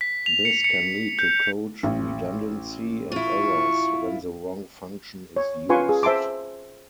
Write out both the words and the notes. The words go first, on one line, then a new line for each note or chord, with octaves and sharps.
This can lead to code redundancy and errors when the wrong function is used.
B6
F7
C#7
C#7
G6
A1
E4 F4 C#6
C#5
C#4 F4 B4 G#5 C6 C#6
G#4
C5 E5 A5 C6 D6